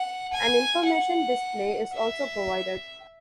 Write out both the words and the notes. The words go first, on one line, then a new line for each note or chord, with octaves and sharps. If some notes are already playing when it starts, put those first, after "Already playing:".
An information display is also provided.
Already playing: F#5
G#5
F#5
E5